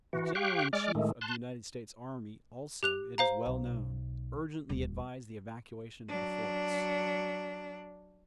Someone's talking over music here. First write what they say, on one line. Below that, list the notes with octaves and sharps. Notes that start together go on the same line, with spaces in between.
The General-in-Chief of the United States Army, also, it is well known, urgently advised the evacuation of the forts.
E3 F#4
G4 F5 G5 C#6 F#6
G#3 D5 D6 F6
A2 D#3 G#3 A3
A5 C6 F#6
G4 F#6 F7
C5 F5 A#5
B1
D#1 D2
F#3 D4